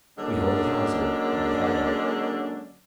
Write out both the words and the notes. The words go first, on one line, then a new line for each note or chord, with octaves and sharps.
We held a council in the cabin.
D3 F#3 G#3 A#3 C#4 D4